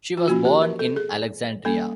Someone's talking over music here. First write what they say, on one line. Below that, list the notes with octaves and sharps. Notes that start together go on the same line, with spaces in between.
She was born in Alexandria.
F4
F3 A#3 C#4 F#4
G4
A#4
A4
G#4
G3 A#3 C#4 A4